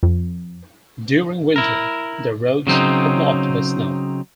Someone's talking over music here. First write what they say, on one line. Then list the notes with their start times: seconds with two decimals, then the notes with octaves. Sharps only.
During winter, the roads are blocked by snow.
0.03 F2
1.56 E4 A#4
2.67 C#3 F#3 C4 D#4